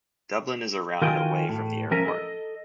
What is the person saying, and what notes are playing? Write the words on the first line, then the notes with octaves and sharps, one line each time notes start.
Dublin is around away from the airport.
D#3 F4 F#4 G5 G#5
A2
F3 C#4 A#4 E5 G#5
A4 D#5